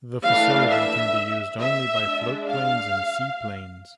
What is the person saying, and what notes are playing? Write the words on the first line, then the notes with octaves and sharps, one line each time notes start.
The facility can be used only by floatplanes and seaplanes.
E3 A3 D4 F5
E5
E5
G#3 D4
F5